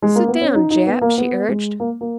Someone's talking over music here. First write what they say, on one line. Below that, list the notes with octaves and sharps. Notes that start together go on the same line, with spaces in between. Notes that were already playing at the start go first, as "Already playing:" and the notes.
"Sit down, Jap," she urged.
G#3
A#3
B3
C#4
D#4
D#4
B3
A#3
B3
G#3
A#3
A#3